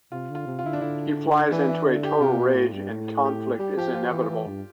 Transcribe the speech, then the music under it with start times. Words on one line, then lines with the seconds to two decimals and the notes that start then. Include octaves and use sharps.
He flies into a total rage, and conflict is inevitable.
0.12 C3 F4
0.30 D3
0.35 F4
0.47 C3
0.59 F4
0.64 D3 E4
0.73 D4
0.81 D3 E4
1.51 E3 D4
1.69 E4
1.85 D3
2.03 G4
2.20 C3 F4
2.38 B2
2.55 A2
2.72 G2
2.90 A2
3.25 G4
3.59 G3 G4
3.77 F3 G4
3.95 F3 F4
4.12 E3
4.29 E3
4.47 G2